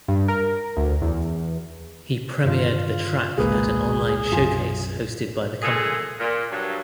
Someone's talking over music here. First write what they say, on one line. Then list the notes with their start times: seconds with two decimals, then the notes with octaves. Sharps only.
He premiered the track at an online showcase hosted by the company.
0.08 G2
0.28 A#4
0.77 D2
1.02 E2
2.45 G2 D3 D#3 F4
3.38 G#1 C#2 B2 G#3 A#3 G#4 B4
4.32 B1 F#2 F4 G#5
5.63 A#2 G#3 G#4 A4
6.19 A#2
6.52 G2 F#3